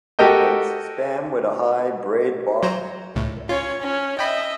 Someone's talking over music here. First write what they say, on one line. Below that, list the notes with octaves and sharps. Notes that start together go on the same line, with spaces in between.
But it’s spam with a high Breidbart Index.
F#4 G4 A4 A#4 D#5 G5
F#3 C5 A#5
C#2 A2
C#4 F4 C#5
C#4
D#5 E5 G5 B5